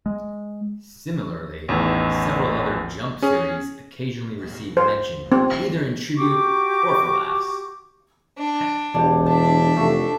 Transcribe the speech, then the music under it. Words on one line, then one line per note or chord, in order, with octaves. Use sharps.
Similarly, several other "Jump" series occasionally receive mention either in tribute or for laughs.
G#3
A1 E2 D#3
C#4 G#4
C5
C4
F#4 G4 C#6 D6
D4
E1 E3 D4 G4
D4 E5 A5
F1 A3 A4